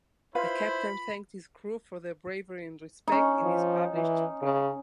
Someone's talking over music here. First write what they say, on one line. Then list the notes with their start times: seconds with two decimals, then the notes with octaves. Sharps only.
The captain thanked his crew for their bravery and respect in a published reply.
0.35 E4 F4 B4 C5 F5 B5
3.08 C#4 D#4
3.43 F3
3.94 E3
4.42 C#3